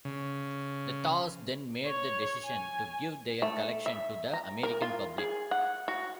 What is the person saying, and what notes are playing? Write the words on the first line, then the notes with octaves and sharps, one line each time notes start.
The Thaws then made the decision to give their collection to the American public.
C#3
C#5
G#5
A3
E5
A#5
A#4
F4
G#4
F#5
F#4